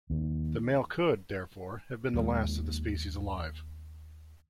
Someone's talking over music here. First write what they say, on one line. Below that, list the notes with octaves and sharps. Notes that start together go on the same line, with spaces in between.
The male could, therefore, have been the last of the species alive.
D#2
D#2 G#3 B3